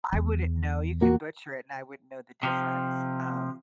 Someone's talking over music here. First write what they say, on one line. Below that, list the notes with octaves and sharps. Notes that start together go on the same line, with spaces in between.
I wouldn't know, you can butcher it, and I wouldn't know the difference, um
E2
A#3 F#4
C3 F3